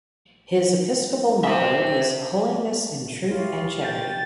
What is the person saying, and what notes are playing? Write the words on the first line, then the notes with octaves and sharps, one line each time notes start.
His episcopal motto is "Holiness in Truth and Charity".
C5 E5
E4 F4 G4 C#5
G5 A6